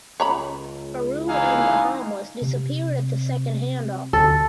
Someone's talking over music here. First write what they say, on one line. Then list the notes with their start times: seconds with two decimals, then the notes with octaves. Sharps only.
Peru and Bahamas disappeared at the second handoff.
0.20 C#2 C#5 A#5 B5
1.29 E3 D#4 F5 G#5
2.42 C3
4.13 D2 A4